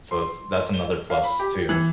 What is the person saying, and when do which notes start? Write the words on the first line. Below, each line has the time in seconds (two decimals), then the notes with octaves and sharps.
So it's that's another plus, too,
0.11 C6
0.74 G7
1.10 F5
1.24 B5
1.39 G4
1.69 E3